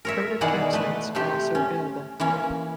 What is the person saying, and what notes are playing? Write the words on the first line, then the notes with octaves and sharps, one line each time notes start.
Primitive camp sites are also available.
A#4 C#5 E5
B2 D#3 E3 G#4 D5 F#5
A3 B4
C3 A3 G4
C#4
E3 A#3 C#4